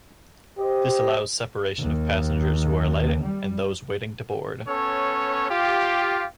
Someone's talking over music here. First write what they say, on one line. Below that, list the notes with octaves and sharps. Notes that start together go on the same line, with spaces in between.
This allows separation of passengers who are alighting and those waiting to board.
G4 C5 D#5
D#2
G3
B3 C#4 A4 C#5
F4 G4